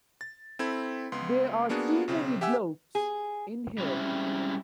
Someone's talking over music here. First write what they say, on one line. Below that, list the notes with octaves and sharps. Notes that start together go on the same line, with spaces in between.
There are too many blokes in here.
A6
C4 E4 A4 B5 G#6
C#2 B3 C6
A#3 B3 D4 F#4 G#4
B1 C#3 C4
G4 E5 F#5 G#5 E6
G#4
G3 G#3 C4 C#4 E4